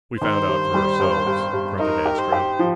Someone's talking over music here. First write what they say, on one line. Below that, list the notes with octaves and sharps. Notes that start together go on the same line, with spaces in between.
"We found out for ourselves," grunted Astro.
D#3 C5
G2
G3
G2
G2
G2
D#4 A#4
G4
C5
G4
F3